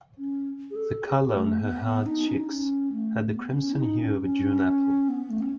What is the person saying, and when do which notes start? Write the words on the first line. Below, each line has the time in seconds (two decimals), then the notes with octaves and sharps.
The color on her hard cheeks had the crimson hue of a June apple.
0.18 C#4
0.71 G#4
0.76 A4
1.06 G#4
1.34 A3
1.62 B3
1.84 B3
2.06 D#4
2.28 C#4
2.39 D#4
2.49 C#4
2.92 A3
3.35 B3
3.57 C#4
3.74 E4
3.78 D#4
4.01 C#4
4.22 C#4
5.09 B3
5.30 A3
5.41 C#4